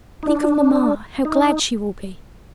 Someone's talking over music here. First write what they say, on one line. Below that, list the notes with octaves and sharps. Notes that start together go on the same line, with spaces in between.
Think of mamma, how glad she will be!
D#4
D4
D#4